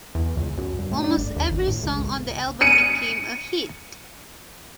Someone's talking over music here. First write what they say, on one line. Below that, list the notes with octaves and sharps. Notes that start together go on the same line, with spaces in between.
Almost every song on the album became a hit.
E2
C#2
F#2
G2
A2
D4
G1
D#2
G#1
A2
C#2
C#7 D#7